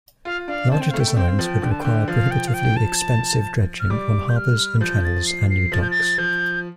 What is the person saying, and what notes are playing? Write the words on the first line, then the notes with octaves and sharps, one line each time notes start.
Larger designs would require prohibitively expensive dredging on harbors and channels and new docks.
F4 F5
D4 F5
C4 A5
G5
A3 F5
G5
A3
C4 G5
F5
F3 G5
D3 G5
A5
D3 G5
F3 F5
G5
F5
G5
A5
F6
G3 D6
G6
F6
F3 G6
A6
C7
C7
F3 A6
G6
A6
F3 G6